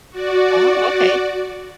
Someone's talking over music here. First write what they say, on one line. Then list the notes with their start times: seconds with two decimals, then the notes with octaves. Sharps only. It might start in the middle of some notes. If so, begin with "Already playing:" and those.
Oh, okay.
0.11 F#4 D5